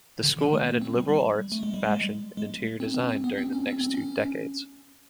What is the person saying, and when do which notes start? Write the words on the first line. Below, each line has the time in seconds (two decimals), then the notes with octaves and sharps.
The school added liberal arts, fashion, and interior design during the next two decades.
0.24 D3
0.39 D#3
0.53 A3
0.66 A#3
0.82 C4
0.95 G3
1.09 G3
1.52 A3
1.63 G#3
1.74 G3
1.84 G#3
2.37 G#3
2.80 C4
2.94 C4
3.09 C4
3.24 B3
3.38 C4
3.53 C#4
3.67 C4
3.81 C4
3.94 C#4